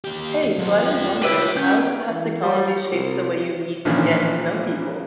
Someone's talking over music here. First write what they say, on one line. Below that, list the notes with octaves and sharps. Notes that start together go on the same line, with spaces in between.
Hey, so I was wondering how has technology shaped the way you meet and get to know people?
D#2 G4
F#3 C5
F4 G5
F4 G4 B4 C#5 E5
C#4 G6
E3
G3
C2
A1 A#2 D#3 F3 C#4 D4